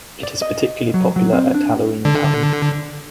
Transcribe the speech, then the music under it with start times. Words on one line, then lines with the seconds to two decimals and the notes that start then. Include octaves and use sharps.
It is particularly popular at Halloween time.
0.23 D5
0.42 D#5
0.94 F#3
1.16 F#3
1.33 C4
1.54 D4
2.05 D3